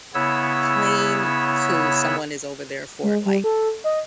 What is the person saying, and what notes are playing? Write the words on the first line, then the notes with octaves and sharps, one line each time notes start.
clean to someone is over there for it, like,
C#3 B3 E4 C#5 E6
G#3
G3
A4
D#5